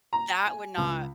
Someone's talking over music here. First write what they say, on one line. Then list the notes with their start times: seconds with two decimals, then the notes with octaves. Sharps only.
That would not
0.13 A#5
0.46 G#5
0.77 C#2